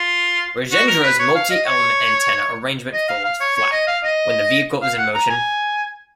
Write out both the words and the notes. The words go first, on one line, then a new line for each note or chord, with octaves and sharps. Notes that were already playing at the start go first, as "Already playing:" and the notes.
Rajendra's multi-element antenna arrangement folds flat when the vehicle is in motion.
Already playing: F4
F#4
A#4
B4
C#5
F5
D#5
C#5
D#5
F5
F5
C#5
C#5
D#5
F5
D#5
F5
F#5
A#5
G#5